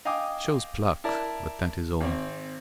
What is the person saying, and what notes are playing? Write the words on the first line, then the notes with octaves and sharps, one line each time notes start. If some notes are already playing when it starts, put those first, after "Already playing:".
It shows pluck, but that is all.
D#5 F5 G5 G#5 D6 D#6
E4 A#4 D5 A5 A#5
G#1 C4